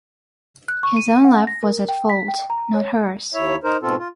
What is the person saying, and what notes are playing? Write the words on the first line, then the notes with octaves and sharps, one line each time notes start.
His own love was at fault, not hers.
F#6
C#6
D#7
F#5
A#6
A#4
G5
B6
G5
A#5
C#5
D#2 E4 C#5 E5
D#4 A#4 C5
G#2 B2 C4 F4 A4
F4